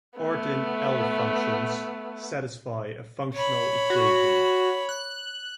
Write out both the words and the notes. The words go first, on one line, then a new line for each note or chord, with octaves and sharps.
Artin L-functions satisfy a functional equation.
A3 B3
C#5 B5
F#4
F#6